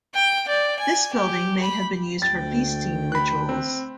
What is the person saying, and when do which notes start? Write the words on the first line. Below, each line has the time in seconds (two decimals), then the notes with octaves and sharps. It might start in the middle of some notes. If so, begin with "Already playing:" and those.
This building may have been used for feasting rituals.
0.14 G5
0.48 D5
0.80 G#5
1.14 G4
1.62 B5
2.22 D2 G5 A6
3.12 B5 F#6
3.49 C4